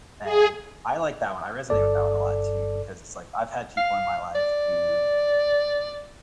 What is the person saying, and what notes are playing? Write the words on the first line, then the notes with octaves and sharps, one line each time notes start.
And, I like that one. I resonate with that one a lot too, because it's like, I've had people in my life who
G#4
G1 G2 A4 D5
F5
D5